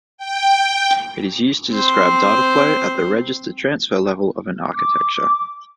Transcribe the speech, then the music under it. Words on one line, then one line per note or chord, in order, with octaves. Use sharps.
It is used to describe data flow at the register-transfer level of an architecture.
G5
C4 C5
D6